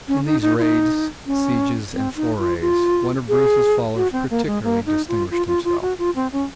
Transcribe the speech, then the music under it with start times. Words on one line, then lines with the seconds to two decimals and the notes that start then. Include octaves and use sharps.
In these raids, sieges and forays one of Bruce's followers particularly distinguished himself.
0.08 C#4
0.25 D#4
0.42 D#4
0.59 F4
0.62 D#4
1.26 C#4
1.94 C4
2.16 D#4
2.38 F4
2.61 F4
3.29 G#4
3.96 F#4
4.13 C4
4.30 A#3
4.47 G#3
4.64 A#3
4.86 D#4
5.08 F4
5.31 F4
5.47 F4
5.65 F4
5.82 F#4
5.98 F4
6.16 C4
6.32 C#4